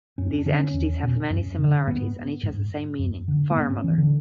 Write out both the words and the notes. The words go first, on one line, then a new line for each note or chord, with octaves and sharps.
These entities have many similarities, and each has the same meaning, fire mother.
F#2 C#4
D4
D3 C#4
C#4
E2
B2
F#2
D3
G#2 B3
G#2
F#2
D3
A3
G#2 B3
C#4
E3
D3